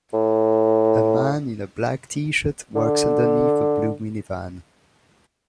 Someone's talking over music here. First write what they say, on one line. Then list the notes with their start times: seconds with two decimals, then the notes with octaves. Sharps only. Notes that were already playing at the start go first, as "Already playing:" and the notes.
A man in a black tshirt works underneath a blue minivan.
0.13 A2
2.76 D3